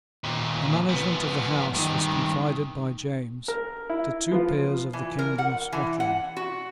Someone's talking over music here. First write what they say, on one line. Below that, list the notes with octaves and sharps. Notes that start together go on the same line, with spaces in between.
The management of the House was confided by James to two peers of the kingdom of Scotland.
D#2 A#2
F3 B3
G2 D#3
A#4
E4
F3 B3 F4
E3
A#4
F#5
E3
F#5
F#4